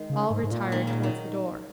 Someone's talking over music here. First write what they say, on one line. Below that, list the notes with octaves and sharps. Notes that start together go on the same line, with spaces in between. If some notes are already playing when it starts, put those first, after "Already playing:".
All retired towards the door.
Already playing: D#3 G#3
C#3
G#2
G#2
A#2
D#3 G#3
C#3 F#3
D#3